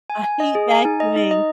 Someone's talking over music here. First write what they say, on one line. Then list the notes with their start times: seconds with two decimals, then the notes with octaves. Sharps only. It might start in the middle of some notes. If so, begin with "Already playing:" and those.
I hate vacuuming.
0.10 G#5
0.24 G#5
0.40 D#5
0.55 G#4
0.71 G#5
0.85 D#4
1.00 D#5
1.16 D#4
1.31 D#5